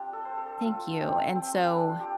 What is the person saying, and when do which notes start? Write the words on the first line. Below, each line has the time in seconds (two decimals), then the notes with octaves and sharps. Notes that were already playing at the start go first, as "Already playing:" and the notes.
Thank you. And so,
Already playing: C4 D4 F4 G4
0.13 A4
0.25 C5
0.38 A4
0.65 F4
1.01 C4
1.36 C4
1.71 D4
1.89 F4
2.00 G4